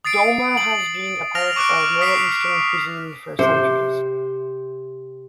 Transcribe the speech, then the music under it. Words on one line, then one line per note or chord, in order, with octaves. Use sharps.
Dolma has been a part of Middle Eastern cuisine for centuries.
D#6 A6 C7 D7
F#7
F6 A#6 F7
C#6 D6 F6 F#6 D7
D#6 B6 C7 D7 F7
C3 C5